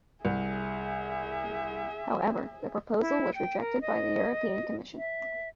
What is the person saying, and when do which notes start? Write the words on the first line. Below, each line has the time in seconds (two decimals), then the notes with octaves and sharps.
However, the proposal was rejected by the European Commission.
0.25 C2 G#4 E5
3.00 E4
3.35 G5
3.60 A#4
3.81 D#5
4.97 E5